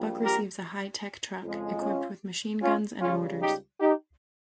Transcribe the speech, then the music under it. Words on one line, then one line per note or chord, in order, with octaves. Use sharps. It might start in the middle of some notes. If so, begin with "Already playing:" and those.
Buck receives a high tech truck, equipped with machine guns and mortars.
Already playing: A#1 A#2 G3
G4 A#4
F2 C#3 F3 G#3
C#4 F4
C#4 F4
C#2 C#3 G3 C#4 F4
D#4 G4
D#4 G4